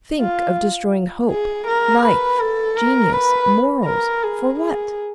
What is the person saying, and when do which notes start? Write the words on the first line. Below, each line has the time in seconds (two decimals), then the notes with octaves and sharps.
Think of destroying hope, life, genius, morals--for what?
0.21 F4
1.31 G#4
1.67 A#4
2.04 B4
2.40 A4
2.77 A#4
3.13 B4
3.86 A#4
4.23 G#4
4.60 G#4